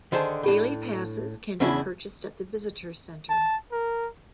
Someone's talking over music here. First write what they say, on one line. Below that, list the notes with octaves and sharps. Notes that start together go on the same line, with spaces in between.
Daily passes can be purchased at the visitors center.
D3 D#3 G#4 C5 A5
A2 D4
E2 C#3 C#4 D4 E4 C#5
A5
A#4